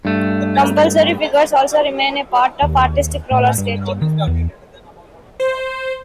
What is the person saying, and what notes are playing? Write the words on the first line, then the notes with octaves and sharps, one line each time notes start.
Compulsory figures also remain a part of artistic roller skating.
G2 A3
D#2
A2
G2
D#3
E2
C5